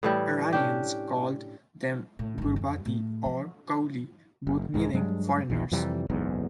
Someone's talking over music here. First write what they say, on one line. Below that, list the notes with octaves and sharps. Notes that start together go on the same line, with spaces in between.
Iranians called them "gurbati" or "kouli", both meaning "foreigners".
A2 E3 G3
C#4 D4 G4
A2
G1 D#3
F2
A2
F3
F#1
C2 G#2 G#3
G2 F#3 G#3 D4
A#1 E2 D#3 E3
F2 C3 E3 G3
F#1 B1 E2 G#2